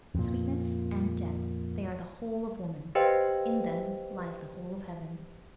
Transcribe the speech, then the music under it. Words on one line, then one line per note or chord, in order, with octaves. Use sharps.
Sweetness and depth, they are the whole of woman; in them lies the whole of heaven.
F2 A#2
G4 B4 C5 D#5 F5 G5